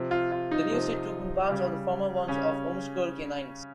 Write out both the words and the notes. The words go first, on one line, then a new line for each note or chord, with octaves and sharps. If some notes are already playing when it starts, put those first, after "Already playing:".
The new seat took in parts of the former ones of Ormskirk and Ince.
Already playing: C3 F3
F4
F4
D#4
C3 F3
C#3 G3
C#3 C#4